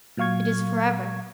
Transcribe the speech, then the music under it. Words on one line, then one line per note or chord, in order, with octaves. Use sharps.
It is for ever.
A#2 F#3 F5 C#6 G#6